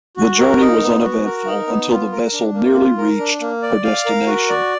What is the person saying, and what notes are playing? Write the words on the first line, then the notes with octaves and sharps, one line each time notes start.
The journey was uneventful until the vessel nearly reached her destination.
F#4
A#4
D#4
B3
F#4
A#4
D#4
B3
F4
A#4
D4
A#3
F4
A#4
D4
A#3
D5
F5
A#4
F#4
D5